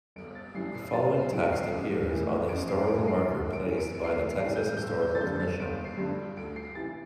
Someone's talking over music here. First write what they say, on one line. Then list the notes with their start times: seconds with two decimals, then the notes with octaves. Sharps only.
The following text appears on the historical marker placed by the Texas Historical Commission.
0.16 G1 D7
0.35 A6
0.55 G2 E3 C7
0.75 C7
0.93 G1 A6
1.14 C7
1.33 G2 E3 D7
1.52 C7
1.71 A1 C7
2.10 A2 E3
2.49 A1 D7
2.68 C7
2.88 A2 E3 D7
3.08 C7
3.27 D2
3.53 D7
3.66 C3 E3
3.78 D7
3.95 D7
4.04 D2 C7
4.31 C7
4.43 C3 E3
4.56 G6
4.77 G6
4.82 G1 E6
5.02 G6
5.15 A6
5.21 G2 D3 G6
5.40 A6
5.59 G1 D7
5.85 C7
5.98 G2 D3
6.37 D2 D7
6.56 C7
6.75 C3 E3 A6